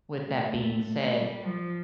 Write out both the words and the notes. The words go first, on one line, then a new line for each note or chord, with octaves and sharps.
with that being said,
A3
G3
F3